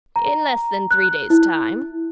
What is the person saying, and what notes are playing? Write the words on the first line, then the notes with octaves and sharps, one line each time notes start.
"In less than three days' time."
A#5
F#6
E4